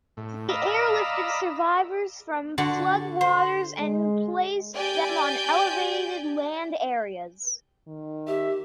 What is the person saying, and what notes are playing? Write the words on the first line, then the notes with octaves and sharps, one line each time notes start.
They airlifted survivors from flood waters and placed them on elevated land areas.
A2
D5 D#5 F5 A#5 B5 E6
D3 F#4 D5
C5
G#3
G4 D5 G5 G#5 G6
D#3
G4 E5